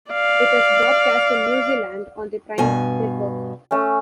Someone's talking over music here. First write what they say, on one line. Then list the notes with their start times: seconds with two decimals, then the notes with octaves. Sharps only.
It is broadcast in New Zealand on the Prime network.
0.12 D5 F5
2.58 G2 B2 G#5
3.71 A3 C#4